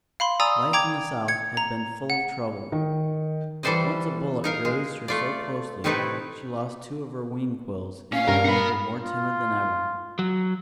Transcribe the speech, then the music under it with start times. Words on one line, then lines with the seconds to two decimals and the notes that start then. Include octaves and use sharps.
Life in the South had been full of trouble. Once a bullet grazed her so closely she lost two of her wing quills, and that made her more timid than ever.
0.20 F5 B5 C6
0.40 D5 G#5 A#5 D#6 E6
0.73 G5 A#5 D6 G#6 F7
1.28 G#6 C#7
1.57 A#5
2.10 F#5
2.72 D#3
3.63 E3 G3 A4 C5 D5 D#5
4.44 D#4 A#4 F5
4.65 G#3
5.08 A3 F4 D5
5.84 A2 C3 A3 D#4 E4 B4
8.13 C#4 F5
8.28 G2 A#4
8.45 F#5 B5
9.02 F4
10.19 F#3